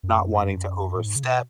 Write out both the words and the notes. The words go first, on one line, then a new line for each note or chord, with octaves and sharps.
not wanting to overstep,
F#2
A2
G#2
C#3
B2